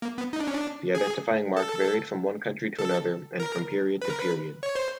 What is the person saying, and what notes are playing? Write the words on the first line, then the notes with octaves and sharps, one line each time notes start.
The identifying mark varied from one country to another, and from period to period.
A#3
B3
D#4
D4
C#4
D4
G#4
A4
A4
A#4
B4
A#4
B4
C#5
C5